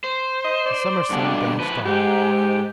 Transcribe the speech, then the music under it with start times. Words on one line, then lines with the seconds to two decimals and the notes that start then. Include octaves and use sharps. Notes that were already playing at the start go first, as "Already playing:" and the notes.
The summer sun danced on.
0.04 C5
0.44 D#5
0.66 D5
1.10 G2 B2 D3
1.60 F3 B4
1.86 G#2 G4